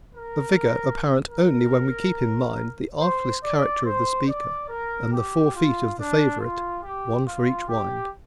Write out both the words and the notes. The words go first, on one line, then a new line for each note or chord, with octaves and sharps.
A vigor apparent only when we keep in mind the artless character of the speaker and the four feet of the favorite, one for each wind.
A#4
A#4
C5
D5
C5
D5
A#4
G4
F4
D4
F4
G4
F4
G4